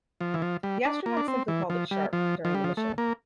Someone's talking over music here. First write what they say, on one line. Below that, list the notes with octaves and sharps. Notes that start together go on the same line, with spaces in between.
The astronauts simply called it "Sharp" during the mission.
F3
E3
F3
G3
D4
A#3
D4
C4
E3
F3
G3
F3
F3
G3
F3
A3
A#3